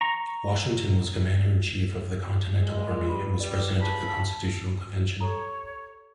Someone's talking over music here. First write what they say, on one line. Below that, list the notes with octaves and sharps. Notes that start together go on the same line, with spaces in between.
Washington was Commander-in-Chief of the Continental Army and was President of the Constitutional Convention.
A#5 C#6
G#3
A#2 F4
G2 B5
G2 G3 D5
C#3 D4 A5 B5
G4 A4 C#5 A#5